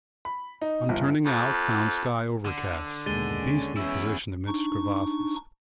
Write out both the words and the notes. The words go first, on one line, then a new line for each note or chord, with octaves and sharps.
On turning out found sky overcast; a beastly position amidst crevasses.
B5
D#4
G1
F2
D3
D#2 B2 G#3 A6 D#7 G7
C#4
E2 C#4 E4 E6
D4 D#4 C#6